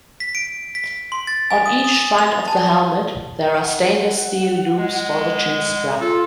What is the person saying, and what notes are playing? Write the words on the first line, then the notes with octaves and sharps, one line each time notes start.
On each side of the helmet there are stainless steel loops for the chinstrap.
B6
D7
B6
C6
A6
G#5
D#6
D#6
F7
A5
F#5
G#3
F4 A4